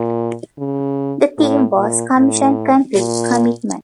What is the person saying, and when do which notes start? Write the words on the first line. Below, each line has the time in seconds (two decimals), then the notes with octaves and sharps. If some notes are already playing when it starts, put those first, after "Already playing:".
The theme was Commission-Conflict-Commitment.
Already playing: A#2
0.58 C#3
1.38 A2
1.77 A#2
2.17 A2
2.96 A#2